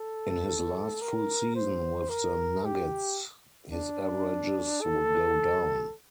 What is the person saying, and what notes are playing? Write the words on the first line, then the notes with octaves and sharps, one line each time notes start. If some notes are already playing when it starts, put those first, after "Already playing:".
In his last full season with the Nuggets his averages would go down.
Already playing: A4
A#4
C5
A#4
G4
D4
A4